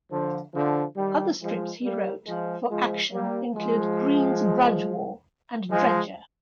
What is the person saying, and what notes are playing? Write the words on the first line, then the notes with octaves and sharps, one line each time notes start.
Other strips he wrote for "Action" include "Green's Grudge War" and "Dredger".
D3 F3
D3 F3
D#3 G3
F3 G#3
G3 A#3
F3 G#3
F3 G#3
G3 A#3
F3 G#3
F3 G#3